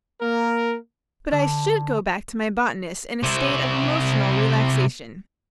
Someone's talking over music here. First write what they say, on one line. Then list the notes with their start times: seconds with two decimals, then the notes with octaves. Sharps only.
But I should go back to my botanist in a state of emotional relaxation.
0.21 A#3 A#4
1.32 D3
3.23 C3 E4